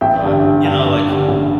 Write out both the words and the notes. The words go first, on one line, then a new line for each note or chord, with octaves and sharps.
But, you know, like,
A1 E5 G5
G2 D3 G3
A1
G2 D3 G3
A1
G2 D3 G3
A1